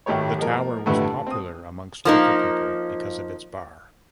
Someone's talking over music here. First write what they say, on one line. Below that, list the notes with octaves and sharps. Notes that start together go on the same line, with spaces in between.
The tower was popular amongst local people because of its bar.
G#1 D#3 A3 G4 C#5
F3 G#3 A#3 A#4
F2 A2 D3 E3 G3 A3
A5
C4 D#6
F3 A#3 D#4